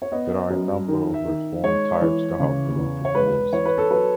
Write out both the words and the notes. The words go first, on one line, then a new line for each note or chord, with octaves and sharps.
There are a number of reform types that have been proposed.
C#5
B3 D#5
F#2
D#3
E5
D#3
G#3 C#5
E3
C#3
E2
C#5
G#3 B4
E3 C#5
B4
A4
F#3 B4